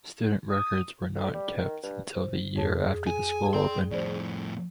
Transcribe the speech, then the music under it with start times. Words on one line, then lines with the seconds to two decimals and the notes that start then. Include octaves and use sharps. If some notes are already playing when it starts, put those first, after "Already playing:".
Student records were not kept until the year after the school opened.
0.49 D#6
1.15 D2
1.34 G3
1.58 D#3
1.83 G2
2.15 C5
2.56 F2 G#4 C#5 A5
3.07 G#5
3.53 D5 G5 C6
3.91 F2 A2 C5 D5